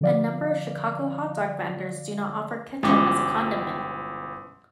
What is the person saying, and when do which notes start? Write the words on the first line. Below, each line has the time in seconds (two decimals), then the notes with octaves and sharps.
A number of Chicago hot dog vendors do not offer ketchup as a condiment.
0.01 D3 F3 D5 F5
2.83 G1 B2 E3 F3 G#3 C#4 G4 C#6